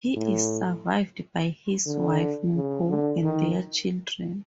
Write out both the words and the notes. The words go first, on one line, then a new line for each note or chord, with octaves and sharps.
He is survived by his wife Mpho and their children.
A2
D3
C#3
D3
D#3